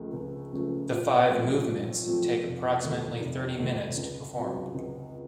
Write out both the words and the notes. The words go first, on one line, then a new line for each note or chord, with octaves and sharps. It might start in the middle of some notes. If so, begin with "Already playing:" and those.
The five movements take approximately thirty minutes to perform.
Already playing: C#2 C#3 F3 A3
C#2
C#3 F3 A3
A#2
F3 A3 C4
A#2
F3 A3 C4
F1
D#2 D#3 A3
F1
D#2 D#3 A3
C#2
C3 F#3 C4
C#2